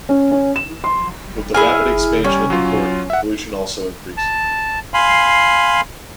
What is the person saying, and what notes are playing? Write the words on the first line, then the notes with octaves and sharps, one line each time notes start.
With the rapid expansion of the port pollution also increased.
C#4
C#4
E7
C6
E4 G#4 G#5 F6
G3 C#4
F#3 F4
E5 F#5
A5
F5 G#5 B5 C6